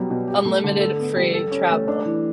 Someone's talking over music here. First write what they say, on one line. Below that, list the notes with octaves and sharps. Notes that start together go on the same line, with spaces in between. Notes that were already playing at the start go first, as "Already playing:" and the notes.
unlimited free travel.
Already playing: B2 F#3 G3
B2
G4
A3
D3
A4
B3
G3
A4
C#4
A3
D4
E3